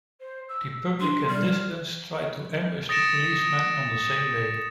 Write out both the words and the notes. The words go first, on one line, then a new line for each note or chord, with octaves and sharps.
Republican dissidents tried to ambush policemen on the same day.
C5
E6
D4 C6
G3 F6
D#6 A6 A#6 C#7 D7 E7